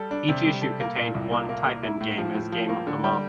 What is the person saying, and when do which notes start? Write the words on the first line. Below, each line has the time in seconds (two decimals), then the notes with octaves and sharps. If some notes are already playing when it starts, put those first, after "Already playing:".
Each issue contained one type-in game as Game of the Month.
Already playing: G3 A4
0.11 D4
0.29 C3
0.46 G3
0.62 A4
0.80 A#3
0.98 A#2
1.14 C2
1.31 A#3
1.49 A#3
1.66 A#3
1.83 E4
2.01 A2
2.18 F3
2.35 A2
2.52 F3
2.69 A#3
2.87 D3
3.04 G3